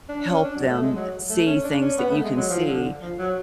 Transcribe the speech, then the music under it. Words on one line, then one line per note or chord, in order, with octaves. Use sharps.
help them see things that you can see.
D4
C#4
D4
F#3
A3
G#3
F#3
A3
C#4
D4
C#4
B3
A3
G#3
F#3
F3
D3
F3
F#3